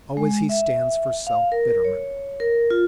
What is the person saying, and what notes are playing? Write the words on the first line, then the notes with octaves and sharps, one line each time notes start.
Always he stands for self-betterment.
G#3
E5
F5
A#4
C#5
A#4
F4